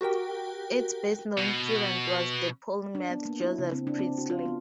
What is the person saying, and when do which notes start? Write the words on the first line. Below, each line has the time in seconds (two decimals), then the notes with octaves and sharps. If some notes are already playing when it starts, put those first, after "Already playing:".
Its best-known student was the polymath Joseph Priestley.
0.01 F#4 G4 A#4 G5
1.38 B2
2.95 D4
3.10 B3
3.25 A#3
3.41 E4
3.58 C#3
3.72 C4
3.87 D4
3.99 C4
4.18 F#4
4.30 F4
4.45 B3